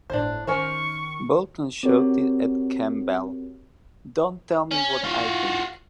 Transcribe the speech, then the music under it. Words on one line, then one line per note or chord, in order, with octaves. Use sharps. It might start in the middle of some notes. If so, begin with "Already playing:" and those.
Boulton shouted at Campbell: "Don't tell me what I think".
G1 A2 D4 C5
D#3 C#4 A#4 C5 C#6
C4 F#4 G4 A#4 C#5
C#4
F4 F#4